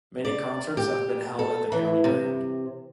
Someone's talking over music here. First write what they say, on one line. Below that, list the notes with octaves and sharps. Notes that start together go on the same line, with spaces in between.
Many concerts have been held at the County Ground.
D5
G4
A4
E3
C3